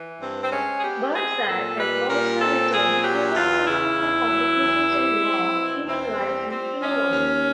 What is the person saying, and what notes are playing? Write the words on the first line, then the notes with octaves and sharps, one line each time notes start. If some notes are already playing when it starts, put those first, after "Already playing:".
Burnside has also written several successful publications on law, human rights and philology.
Already playing: E3
G2 C4
C4
G#3 C#4
G#4
B3 G4
C4 G#4
A#2 A4
G3 B4
A#2 A#4
C4 A4
A#2 G#4
F#3 G4
E2 F4
C#3 E4
E2
F#3
E2
G3
C4
B2
E2 C4
G3
C4
F3 C#4
D#2